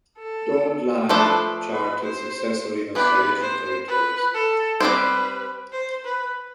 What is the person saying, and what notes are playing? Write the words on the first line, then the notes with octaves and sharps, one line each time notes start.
"Don't Lie" charted successfully in Australasian territories.
A4
F3 A3 D4 A4 B4 C5
B4
C5
E3 B3 D4 G4 B4
C5
B4
A4
G3 C4 E4 G4 B4 C5
C5
B4